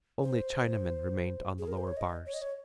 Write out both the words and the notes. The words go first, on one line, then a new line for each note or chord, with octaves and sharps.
Only Chinamen remained on the lower bars.
C5
G#4
A#4
C5
C#5
D#5
C#5
D#5
C#5